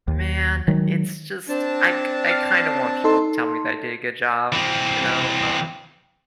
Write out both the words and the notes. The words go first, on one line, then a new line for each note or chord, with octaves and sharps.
man, it's just I k I kinda want people to tell me that I did a good job, you know, um
D#2
D#3 F#3 G#3
C4 D4 A5
F6 A6 C7
D#4 A4 C6
E3 C4